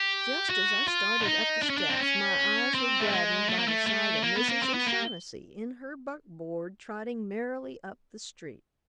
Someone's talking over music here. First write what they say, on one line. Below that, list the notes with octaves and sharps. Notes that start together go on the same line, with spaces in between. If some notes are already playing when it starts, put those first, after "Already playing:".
Just as I started up the steps my eyes were gladdened by the sight of Mrs. O'Shaughnessy in her buckboard trotting merrily up the street.
Already playing: G4
F#4
F4
D4
D#4
D4
C#4
D4
C4
C#4
C4
A3
G#3
A3
A#3
A3
A3
A#3
B3
A#3
C4
B3
A#3